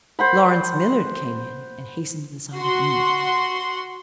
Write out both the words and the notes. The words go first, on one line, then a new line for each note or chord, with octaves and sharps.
Lawrence Millard came in and hastened to the side of Enid.
C5 F#5 B5
F#4 C6